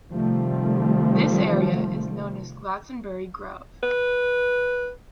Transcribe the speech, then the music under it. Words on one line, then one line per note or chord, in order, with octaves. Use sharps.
This area is known as Glastonbury Grove.
C3 D#3 F3 G3 A3
B4